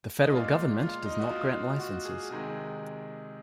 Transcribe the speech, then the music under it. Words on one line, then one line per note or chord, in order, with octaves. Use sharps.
The federal government does not grant licenses.
D#4
A#2 G#3 F4
F4
D#4
F#4
F4
F#4
G#4
C3 D#3 G#3 G#4